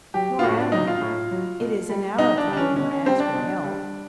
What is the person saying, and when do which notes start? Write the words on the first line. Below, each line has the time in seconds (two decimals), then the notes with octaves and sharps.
"Nor am I. It is an Arab for whom I ask your help."
0.14 F#3 G4
0.39 F4
0.43 A2 F#4
0.58 D4
0.72 F#3 D#4
0.87 F4
1.01 A2
1.31 F#3
1.60 B2
1.89 G3
2.18 B2 D#4
2.37 D4
2.47 G3
2.53 D4
2.57 C#4
2.76 B2 C#4
2.91 C#4
3.06 G3 C4
3.20 D4
3.35 B2
3.64 G3